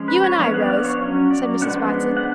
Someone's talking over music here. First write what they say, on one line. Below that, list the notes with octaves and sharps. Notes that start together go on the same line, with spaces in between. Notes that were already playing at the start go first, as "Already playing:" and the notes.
"You and I, Rose," said Mrs. Watson.
Already playing: F3 G#3 C#4
B4
C#5
F3 B3 D4 F5
F#5
D5
F5
C#5
F#3 C#4
D5
F3 G#3 B3 D4 F#5
F#5